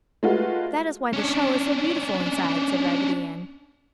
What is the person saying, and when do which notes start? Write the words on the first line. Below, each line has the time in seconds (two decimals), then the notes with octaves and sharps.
"That is why the shell is so beautiful inside!" said Raggedy Ann.
0.23 G#3 A3 F4 F#4 B4
1.13 C#4 D4